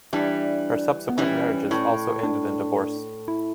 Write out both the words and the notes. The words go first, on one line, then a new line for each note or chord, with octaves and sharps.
Her subsequent marriages also ended in divorce.
E3 G3 D4
B3
E3 G3 C#4
A2
D4
E4